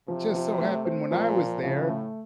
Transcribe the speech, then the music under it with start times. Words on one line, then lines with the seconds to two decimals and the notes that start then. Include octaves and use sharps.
just so happened when I was there,
0.08 C3 F3
0.35 F3
0.60 A3
0.85 C4
1.11 A#2 F3
1.37 F3
1.62 A2 C#3
1.89 A3